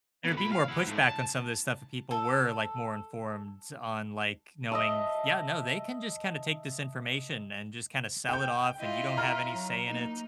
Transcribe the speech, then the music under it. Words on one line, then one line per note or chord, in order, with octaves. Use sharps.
there'd be more pushback on some of this stuff, if people were, like, more informed on, like, knowing "Yeah, no, they can just kinda take this information and just kinda sell it off, and you don't have any say in it,"
B3 A4
A#2 B5
F5
B3 E4
G#2 A3
A5
A4
D#5 E5 A5
G5 G6
E4 F4 D#5
A#5 F6
F#3
A#3 D#4